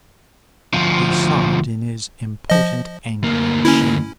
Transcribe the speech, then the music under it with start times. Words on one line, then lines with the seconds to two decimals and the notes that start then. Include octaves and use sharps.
He sobbed in his impotent anger and shame.
0.74 D2 F3
2.50 F3 D#5
3.24 D2 A#3
3.65 C#4 E4